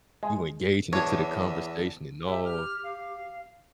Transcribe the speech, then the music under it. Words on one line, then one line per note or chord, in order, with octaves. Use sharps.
You engaging into the conversation and all.
G#3
E2 D4 C#5
G4 E5
F6
F5